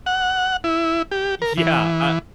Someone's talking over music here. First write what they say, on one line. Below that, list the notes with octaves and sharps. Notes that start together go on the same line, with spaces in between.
Yeah, I
F#5
E4
G4
A#4
E3